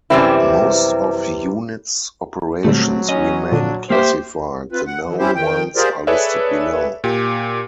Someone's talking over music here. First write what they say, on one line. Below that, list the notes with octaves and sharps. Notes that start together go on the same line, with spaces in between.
Most of unit's operations remain classified, the known ones are listed below.
F#2 C3 E3 G3 C4 E4
A#2 D3 F#3 G3 A3 C4
C#4 D#5
A#2 D3 D4
A#3 G4 C5 E5
C4 F4 B4
F#5
C#3 E3
C4 C#4 E4 G4 C5
D#3 G5
F4 G4 G#4 A#4 C5 D5
G#4 A4 B4 C#5 D5 E5
A#2 G4